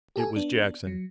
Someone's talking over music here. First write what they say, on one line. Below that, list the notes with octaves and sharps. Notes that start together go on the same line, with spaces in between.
It was Jackson.
G4 A4 G#5
B3 D4
F#3